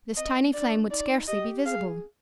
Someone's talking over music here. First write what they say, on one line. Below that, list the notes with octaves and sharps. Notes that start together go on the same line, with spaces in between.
This tiny flame would scarcely be visible.
C4 D#5
D4 D5
D#4 D5
G4 D#5
G#4 F5